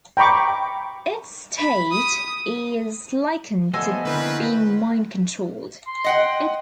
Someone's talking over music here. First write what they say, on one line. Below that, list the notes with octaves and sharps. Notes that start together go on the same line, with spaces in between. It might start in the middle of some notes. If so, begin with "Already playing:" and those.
Its state is likened to being mind controlled.
G5 A#5 B5 C#6 D6
B5
D#6
F3 A3 B3 A4 C5 D#5 G#5
D3 A#3 C4 C#4 E4 B4
C6
D#5 F#5 G5